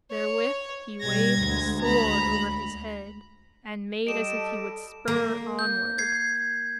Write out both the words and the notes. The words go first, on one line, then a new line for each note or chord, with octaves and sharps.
Therewith he waved his sword over his head, and made as if he would spur onward.
C#5
B2 G3 G#6 A#6
D2 G#3
A#5 B5
G3 G4 A4 D#5 D7 E7
A#3
G6
G#6 C7